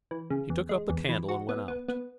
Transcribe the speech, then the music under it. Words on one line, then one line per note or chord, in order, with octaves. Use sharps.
He took up the candle and went out.
E3
C#3
E2
G#3
E2
E3
F#4
B3
B3
B3